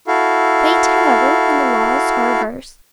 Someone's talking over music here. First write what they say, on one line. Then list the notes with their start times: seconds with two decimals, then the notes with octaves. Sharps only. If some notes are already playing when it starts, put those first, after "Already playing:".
Fate, however, and the laws are averse.
0.07 E4 F#4 A4 F5